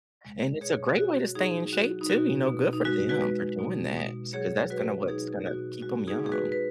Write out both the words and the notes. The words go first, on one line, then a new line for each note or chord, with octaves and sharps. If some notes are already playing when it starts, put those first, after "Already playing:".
And it's a great way to stay in shape too, you know, good for them for doing that, so 'cause that's gonna what's gonna keep ‘em young.
G#3
B2 G#4 C#5
B2 F#4
F#3 D#4 G#4
F#3 F#4
D#4
B2 F#4
B2
D#4
G#3 F#4
F#4 B4
G#3
B2
B2
F#3 G#4 C#5
F#3 F#4 B4
B2 D#4 G#4
B2 F#4
G#3 F#4
D#4 G#4
G#3
G#4
F#4 B4
B4